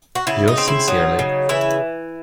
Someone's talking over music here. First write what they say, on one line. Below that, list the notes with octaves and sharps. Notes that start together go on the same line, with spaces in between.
Yours sincerely.
F#4
C#3 E4
D#4
C4
E4
F#3 D#4
C#3
E3 E4